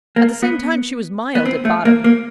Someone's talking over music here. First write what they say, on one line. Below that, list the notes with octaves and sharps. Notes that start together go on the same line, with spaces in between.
At the same time she was mild at bottom.
A#3
B3
B3
C4
A3
A#3
A#3